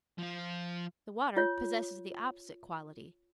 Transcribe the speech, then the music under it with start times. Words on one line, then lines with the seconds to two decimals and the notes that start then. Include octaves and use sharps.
The water possesses the opposite quality.
0.19 F3 F4
1.37 F4 C#5